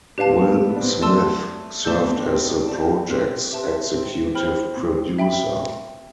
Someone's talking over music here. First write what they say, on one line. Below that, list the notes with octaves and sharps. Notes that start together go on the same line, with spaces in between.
Will Smith served as the project's executive producer.
D4 G4 B4 F5 A5
C4
B3
A3
B3
B3
D4
C4
B3
A3 D5 A5 C6 E6
A3 D5 A5 E6 G6
B3
C4
D4
C4
G4 D5 A5
C4
G4 B4 E5 A5 C6
C4
C5 G5 B5 F6
C4
E5 G5 B5